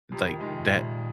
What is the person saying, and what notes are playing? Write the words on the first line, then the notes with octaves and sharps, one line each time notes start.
Like, that
F2 C3
D#3
C3 D#3 G#3 D#4
F2 A#2